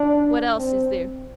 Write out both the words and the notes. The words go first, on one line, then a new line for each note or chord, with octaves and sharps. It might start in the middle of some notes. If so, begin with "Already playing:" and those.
"What else is there?"
Already playing: D4
C4